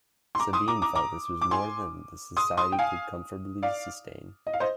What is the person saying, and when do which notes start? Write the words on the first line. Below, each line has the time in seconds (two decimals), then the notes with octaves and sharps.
Sabine felt this was more than the Society could comfortably sustain.
0.35 C6
0.39 A#5 D6
0.53 C6 D#6
0.68 A#5 D6
0.82 A#5 D6
0.95 A#5 D6
1.42 D6
1.51 G#5 C6
2.37 C6 D#6
2.57 C6 D#6
2.72 G5
2.79 F5 G#5
3.62 D5 F5
4.47 D#5
4.54 F5
4.60 C5 D#5